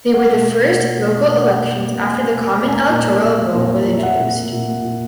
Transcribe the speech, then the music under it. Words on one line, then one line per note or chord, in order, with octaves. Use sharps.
They were the first local elections after the common electoral roll was introduced.
A#3 F#5
B2
A#3
B2
A#3
B2
A#3
B2
A#3 F#5
B2
A#3
B2
A#3 G#5
B2
A#3
B2
G#5
A#3 A#5
A#2
A#3
A#2
A#3
A#2
A#3
A#2
E5
A#3 F#5
A#2
A#3
A#2
A#3
A#2